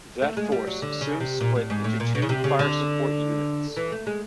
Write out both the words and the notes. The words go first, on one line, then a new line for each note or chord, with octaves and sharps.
That force soon split into two fire support units.
A3
G#3
G3
F#3
D3
C#3
C3
A#2
A2
G#2
A2
A#2
B2
C#3
C3
C#3
D3
E3
A3
G#3